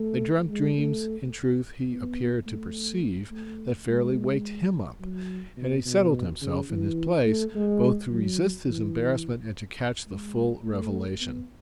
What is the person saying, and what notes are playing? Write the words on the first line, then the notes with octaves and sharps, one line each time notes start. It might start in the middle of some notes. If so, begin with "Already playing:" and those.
They dreamt dreams, in truth, he appeared to perceive, that fairly waked HIM up, and he settled himself in his place both to resist his embarrassment and to catch the full revelation.
Already playing: A3
G#3
A3
B3
A3
A3
G#3
F#3
B2
B2
C#3
E3
A3
G#3
F#3
E3
G#3
A3
B3